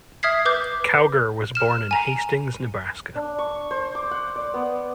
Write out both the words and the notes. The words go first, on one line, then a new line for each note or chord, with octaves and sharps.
Cowger was born in Hastings, Nebraska.
E5 D#6 F6 G#6 B6 C7
B4 D6 G6
F6 E7
G#5 A#5
D4
C#6
C5
D6
F#5
D5
B3